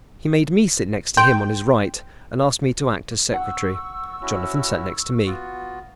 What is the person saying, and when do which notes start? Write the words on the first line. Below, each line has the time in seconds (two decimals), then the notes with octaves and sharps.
He made me sit next to him on his right, and asked me to act as secretary; Jonathan sat next to me.
1.17 G5 C6
3.34 F#5 C#6 E6
4.22 C#4 E4 F#4
5.26 B3 F4 F#4